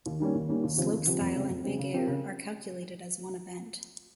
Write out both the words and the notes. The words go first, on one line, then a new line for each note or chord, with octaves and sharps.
Slopestyle and Big Air are calculated as one event.
D#2
D#3 G3 A#3 C#4
D#2
D#3 G3 A#3 C#4
D#2
C#3 F3 C4 G4
D#2
C#3 F3 C4 G4
F2
C#3 G#3 C4
F2
C#3 G#3 C4
C#3
F3 C4 G4 A#4
C#3